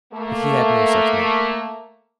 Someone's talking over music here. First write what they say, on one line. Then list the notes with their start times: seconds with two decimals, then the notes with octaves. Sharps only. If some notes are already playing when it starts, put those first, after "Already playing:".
But he had no such map.
0.13 A3 A#3